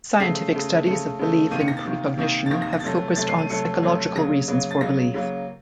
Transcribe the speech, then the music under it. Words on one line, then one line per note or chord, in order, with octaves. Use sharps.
Scientific studies of belief in precognition have focused on psychological reasons for belief.
C#3 A3 C7
C#3 A3
C#3 A3 C#7
C#3 A3
C3 D#3 A#3 D#7
C#7
A#6
A6
C3 D#3 A#3
C3 D#3 A#3
A6
C3 D#3 A#3 A#6
A#6
A#6
A6
C3 F#3 A3 A#6
C3 F#3 A3 A6
C7
D#7
C3 F#3 A3 C#7
C3 F#3 A3
C#3 F#3 A#3 A#6
C#3 F#3 A#3
A6
C#3 F#3 A#3 A#6
C#3 F#3 A#3